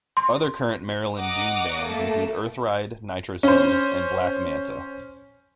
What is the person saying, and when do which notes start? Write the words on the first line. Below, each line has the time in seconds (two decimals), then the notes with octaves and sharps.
Other current Maryland doom bands include Earthride, Nitroseed, and Black Manta.
0.17 C6
1.17 D#5 F#5 A#5 D6 D#6
1.82 A3 A#3 A4
3.43 C#4 C5